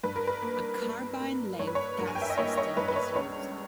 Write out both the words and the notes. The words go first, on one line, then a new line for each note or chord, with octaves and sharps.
A carbine-length gas system is used.
G2 B4
A#4
B4
A#3
A#3
A#3
G2 C#5
B4
C#5
G2 A#4
G#5
G5
E5
D#5
A#3 C#5
D#5
C#5
G2 B4
B4
C#5
C#2 C#5